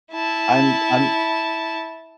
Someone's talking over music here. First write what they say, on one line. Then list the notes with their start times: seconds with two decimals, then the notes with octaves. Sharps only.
I'm I'm
0.13 E4 A5